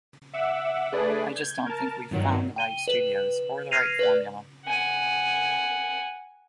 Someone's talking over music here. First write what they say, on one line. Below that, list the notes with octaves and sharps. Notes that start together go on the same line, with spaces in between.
I just don't think we've found the right studios, or the right formula.
E5 F#5 D6 E6
A3 D4 G#4 B4 D5
G6 G#6
A#4 A5
G2 A#2 D#3 F#3
G5 D#7 G7
B4
F6 G#6 A#6 C7 D#7 F7
B4 D5
F#5 G#5